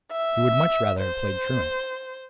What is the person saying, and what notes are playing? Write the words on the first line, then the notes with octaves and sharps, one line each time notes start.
He would much rather have played truant.
E5
C5